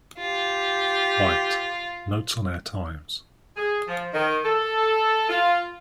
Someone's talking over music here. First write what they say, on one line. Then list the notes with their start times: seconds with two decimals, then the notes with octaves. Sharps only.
White: Notes on our Times.
0.18 F4 G4
3.57 G#4
3.88 F3
4.13 D#3
4.44 A4
5.29 F4